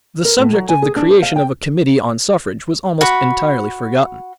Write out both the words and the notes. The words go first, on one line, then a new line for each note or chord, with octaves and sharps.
The subject of the creation of a committee on suffrage was almost entirely forgotten.
A#4
A2
F#3
G#5
G#4
D4
C5
F5
G5
F#4 B5